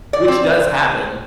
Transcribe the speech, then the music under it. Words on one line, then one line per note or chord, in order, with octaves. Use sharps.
which does happen,
D5
C4